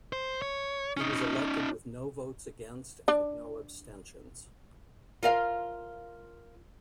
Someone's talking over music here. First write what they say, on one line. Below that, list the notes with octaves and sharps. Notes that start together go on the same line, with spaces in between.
He was elected with no votes against and no abstentions.
C5
C#5
C#4 D#4
D4 D5
F4 A#4 F5